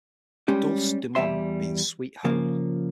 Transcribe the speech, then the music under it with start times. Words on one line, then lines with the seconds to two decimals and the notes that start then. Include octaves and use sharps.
'Dulce Domum' means 'Sweet Home'.
0.48 G3 G#3 C#4 G4
1.15 E2 G3 E5 C6
2.24 C#3 F3 A#3